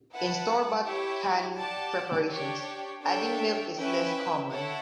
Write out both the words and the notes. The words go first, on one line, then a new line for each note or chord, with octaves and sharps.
In store-bought canned preparations, adding milk is less common.
E4 B4 F#5 A5
E4 G4 C#5
G4 D5 F#5 A5
D4 G4 C#5 G5
D4 A4 C#5 E5 G5
C#4 E4 B4 E5 G5
E4 A4 C#5 F#5